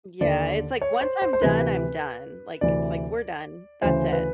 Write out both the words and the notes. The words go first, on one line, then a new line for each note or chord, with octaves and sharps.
Yeah, it's like once I'm done, I'm done, like, it's like, "We're done, that's it.
D#2 D3 D5
C#5
C5
C5
C5
D2 C3 E3 B4
D2 C3 E3 D5
D2 C#3 E3 C5
B4